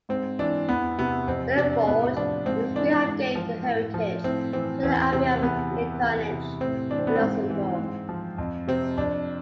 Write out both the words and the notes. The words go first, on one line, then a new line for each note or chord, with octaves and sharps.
Wilibrord on his behalf gave the heritage to the Abbey of Echternach in Luxembourg.
G#2 C4
E3 D4
E2 B3
C3 B3
F2 C4
C3 D4
A2 B3
F3 D4
G#2 C4
E3 D4
G#2
F3
A2
F3
A2 C4
E3 C4
E2 C4
C3 C4
E2 B3
C3
E2
C3
A2 C4
E3 D4
C4
B3
G#2 C4
E3
G#2
F3
F2
C3 C4
F2 D4